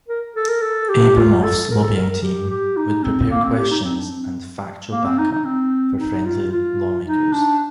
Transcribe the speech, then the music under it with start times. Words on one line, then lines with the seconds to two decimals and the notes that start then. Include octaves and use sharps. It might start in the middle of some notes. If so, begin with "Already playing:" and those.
Abramoff's lobbying team would prepare questions and "factual backup" for friendly lawmakers.
0.09 A#4
0.36 A4
0.49 A#4
0.62 A4
0.89 G4
1.16 F4
1.43 A4
1.70 A#4
1.83 A4
1.96 A#4
2.10 A#4
2.23 G4
2.50 G4
2.77 D#4
3.03 C4
3.30 A#3
3.44 C4
3.57 G4
3.71 D#4
3.84 C4
3.97 D4
4.11 C4
4.92 A#3
5.05 C4
5.18 D#4
5.32 D#4
5.45 C4
5.99 D#4
6.25 F4
6.52 F4
7.06 D#4
7.33 D4